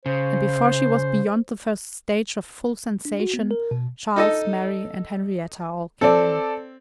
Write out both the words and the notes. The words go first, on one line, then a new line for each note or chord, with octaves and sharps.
And before she was beyond the first stage of full sensation, Charles, Mary, and Henrietta all came in.
C#3 C5
D4
F#4
B3
A#4
B2
D#4 A4 D#5
C4 A4 D5